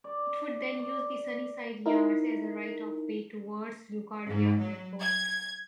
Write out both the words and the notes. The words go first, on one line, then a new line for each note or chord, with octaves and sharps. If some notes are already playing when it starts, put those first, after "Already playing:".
It would then use the Sunnyside Yards as a right-of-way towards LaGuardia Airport.
D5
D5
D#4 E4 A#4
G#2
F#3
G#6